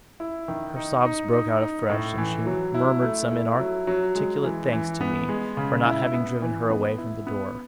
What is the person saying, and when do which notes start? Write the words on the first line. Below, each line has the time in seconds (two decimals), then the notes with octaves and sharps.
Her sobs broke out afresh, and she murmured some inarticulate thanks to me for not having driven her away from the door.
0.20 E4
0.48 D#3
0.76 D#4
1.05 D#4
1.33 D#4
1.61 D#4
1.90 A2
2.18 E3
2.46 F#3
2.74 E4
3.02 A3
3.31 E4
3.59 F#3
3.87 F#3
4.15 G#3
4.44 E3
4.72 E3
5.01 B3
5.29 G#3
5.57 C#3
5.85 E4
6.14 B3
6.42 E3
6.70 B3
6.98 E4
7.27 B3